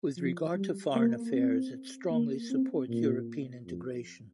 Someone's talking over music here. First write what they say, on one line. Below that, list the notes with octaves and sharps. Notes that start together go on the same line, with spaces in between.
With regard to foreign affairs it strongly supports European integration.
F3
G3
A#3
C4
A#3
C4
A#2
F2